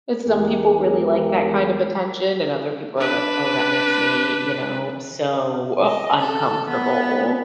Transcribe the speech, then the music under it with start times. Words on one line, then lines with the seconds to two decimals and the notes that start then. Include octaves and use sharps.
Some people really like that kind of attention and other people are like, "Oh, that makes me, you know, so u uncomfortable."
0.27 E2 G#3 G4 G#4 A#4
2.97 D4 B4
5.86 D#5
6.19 A4
6.68 B3